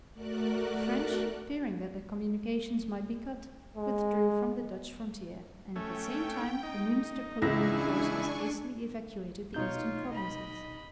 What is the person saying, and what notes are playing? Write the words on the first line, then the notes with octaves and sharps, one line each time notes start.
The French, fearing that their communications might be cut, withdrew from the Dutch frontier; and at the same time the Muenster-Cologne forces hastily evacuated the eastern provinces.
A3 F#4 A#4 D5 F#6
G#3
A3 C#4 G5
D#4
C#2 E3 D4 E4 G#5 C#6 A#6
B2 D#4 F4 C#5 G6
D#5 B5